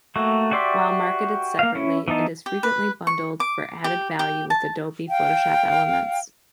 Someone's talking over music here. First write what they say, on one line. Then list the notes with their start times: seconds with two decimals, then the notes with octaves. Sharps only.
While marketed separately, it is frequently bundled for added value with Adobe Photoshop Elements.
0.16 A3 A#3 F#4
0.51 F#4 G4 D5 E5 C6
1.59 A#3 F5
1.75 C#4 E4
2.08 E3 B3 D#4 A5
2.46 G4
2.63 B4
3.07 C#6
3.40 D6
3.84 G4
4.19 G4
4.50 A5
5.08 F5 G5